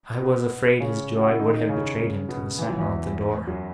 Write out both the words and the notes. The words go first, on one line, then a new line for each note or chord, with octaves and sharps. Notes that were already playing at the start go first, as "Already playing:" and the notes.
I was afraid his joy would have betrayed him to the sentinel at the door.'
B2 B3
C#3 C#4
F#4
E4
D#3 D#4
D#3 D#4
C#3 C#4
B2 B3
E3
F#3
E2 E3
F#2 F#3